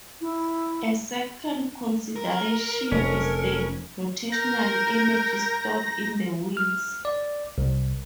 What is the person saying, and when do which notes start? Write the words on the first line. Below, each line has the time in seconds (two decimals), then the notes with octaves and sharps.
A second consideration is the rotational energy stored in the wheels.
0.21 E4
2.16 A#4
2.92 F1 C#4 A4
4.32 A#4 A#5 G6 A#6
6.57 F6
7.05 D5
7.58 C2